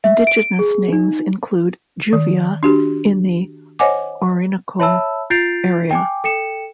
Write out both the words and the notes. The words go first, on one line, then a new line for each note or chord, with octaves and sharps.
Indigenous names include "juvia" in the Orinoco area.
E5
D7
G#4
D#4
D#3
D4 F#4 G4
C5 C#5 D#5 F#5 G#5 D6
C#5 E5 A5 B5 E6
F4 G6 A6 C7 D7 F7
G5 G#5 D6
A4 G5 C#7 E7